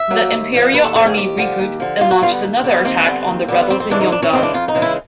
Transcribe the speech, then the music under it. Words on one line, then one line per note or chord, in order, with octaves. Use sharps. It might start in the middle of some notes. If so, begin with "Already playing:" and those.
The imperial army regrouped and launched another attack on the rebels in Yongan.
Already playing: E5
F#3 A#3
D#2
D3 F3
D#2 B4
A4
D3 F3 A4
G#4
D#2 G4
D3 F3
D#2
D3 F3
D#2 F4
F#4
D3 G3 B3 F4
D#2
D3 G3 B3
D#2 C4
D3 G3 B3
D#2
D3 G3 B3
F2 C4
C4
C#3 E3 G#3 D4
D#4
F2 D4
C#4
C#3 E3 G#3 C4
D4
F2 F4
D#4
C#3 E3 G#3
E4